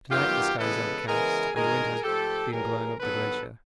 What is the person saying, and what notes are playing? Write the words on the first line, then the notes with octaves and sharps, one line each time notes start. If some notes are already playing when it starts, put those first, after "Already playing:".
To-night the sky is overcast and wind has been blowing up the glacier.
F#2 D#3 F#3 B3 F4 G4
C#3 E3 G#3 B3 A4 B4
C#3 E3 G#3 B3 G#4 A#4
G2 D#3 G#3 G#4 A#4
G#2 F3 A3 G4 A4
A2 E3 G3 G#4 A#4
G2 D#3 F#3 B3 A4 B4